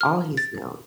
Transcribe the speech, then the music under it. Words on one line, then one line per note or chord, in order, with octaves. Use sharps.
all he's known,
F6
A6